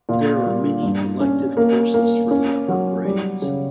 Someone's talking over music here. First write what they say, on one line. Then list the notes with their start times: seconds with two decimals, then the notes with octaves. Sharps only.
There are many elective courses for the upper grades.
0.09 A#2
0.46 G3
0.83 G2
1.20 C#4
1.57 A#3
1.94 A#3
2.31 C#4
2.68 F#3
3.05 G3
3.42 C#3